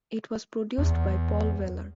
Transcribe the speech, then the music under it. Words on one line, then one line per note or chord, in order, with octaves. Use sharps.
It was produced by Paul Weller.
E2